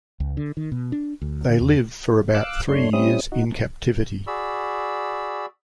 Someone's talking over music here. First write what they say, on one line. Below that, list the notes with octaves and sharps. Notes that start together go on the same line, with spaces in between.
They live for about three years in captivity.
C#2
D3
D#3
B2
D4
D2
D3
E2
F5 D6 E6 F#6
F#2 A3 D4 C#5 C6
G3 C4 C#4 E4 D#6
D#4 F#4
F#4 G#4 D5 B5 E6